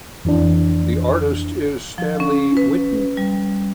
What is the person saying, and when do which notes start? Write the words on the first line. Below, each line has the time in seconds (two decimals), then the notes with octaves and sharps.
The artist is Stanley Witten.
0.25 F2 E3 D4
1.98 F3
2.20 C#4
2.57 B4
3.17 G3